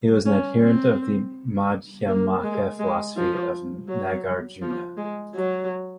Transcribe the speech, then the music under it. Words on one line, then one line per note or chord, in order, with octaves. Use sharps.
He was an adherent of the Madhyamaka philosophy of Nagarjuna.
C#4
C4
A#3
G#3
G#3
F3
F#3
F3
G#3
F#3